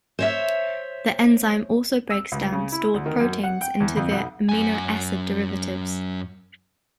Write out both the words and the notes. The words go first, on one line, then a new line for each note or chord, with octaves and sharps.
The enzyme also breaks down stored proteins into their amino acid derivatives.
C5 C#5 E5
E6
C#2
C#3
E4
D2
D#3
F#2
F#5
G5
E2
F2
B1
F#2 G#5